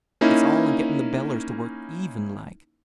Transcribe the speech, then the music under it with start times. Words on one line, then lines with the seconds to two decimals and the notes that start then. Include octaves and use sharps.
It's all in gettin' the bellers to work even like.
0.21 A#3 C#4 D#4 E4